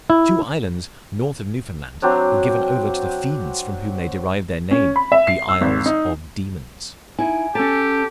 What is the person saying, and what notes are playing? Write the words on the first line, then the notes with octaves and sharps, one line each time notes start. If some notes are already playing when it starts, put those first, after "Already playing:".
Two islands, north of Newfoundland, were given over to the fiends from whom they derived their name, the Isles of Demons.
E4
F#3 C4 D4
C#4
B5
E5
C7
E6
G#1
D#4
D#4 E4 G#5
C#4 G4 A4 A5